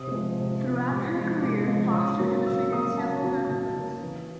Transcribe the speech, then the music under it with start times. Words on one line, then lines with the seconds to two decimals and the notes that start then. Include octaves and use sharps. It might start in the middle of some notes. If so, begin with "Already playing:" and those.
Throughout her career Foster illustrated several dozen books.
Already playing: C3 D#6
0.11 F3 G#3
0.38 C3
0.64 F3 G#3
0.90 C3 D6
1.16 F3 G#3
1.42 C3 D6
1.68 F3 G#3
1.93 C#3 D#6
2.20 F#3 A#3
2.46 C#3 E6
2.72 F#3 A#3 D#6
2.98 C#3 A5
3.24 F#3 A#3
3.50 C#3 A5
3.76 F#3 A#3
4.02 E3